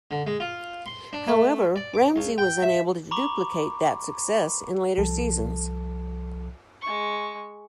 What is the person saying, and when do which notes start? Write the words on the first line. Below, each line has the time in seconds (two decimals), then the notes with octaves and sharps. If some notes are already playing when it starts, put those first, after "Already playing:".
However, Ramsay was unable to duplicate that success in later seasons.
0.11 D3
0.27 G#3
0.40 F4
0.86 C6
1.13 D4
1.28 A3
1.76 D5
1.94 D6
2.16 C#2
2.38 G5
2.63 E5
3.11 A#5 B5 C#6 D6
4.98 C2 F3 A4 A5
6.82 G#3 C#6